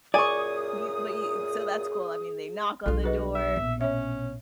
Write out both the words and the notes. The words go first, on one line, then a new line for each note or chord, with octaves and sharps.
you but you so, that's cool, I mean they knock on the door
F#2 A#2 G#4 D5 G#5 C#6 D#6
B1 D4 F4 A4
F#4 G#4 B4 D#5
E5
A#1 B2
C#4 C#5 E5